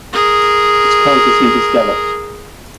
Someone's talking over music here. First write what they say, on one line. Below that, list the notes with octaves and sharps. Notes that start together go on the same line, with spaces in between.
Its county seat is Gallup.
G#4 A#4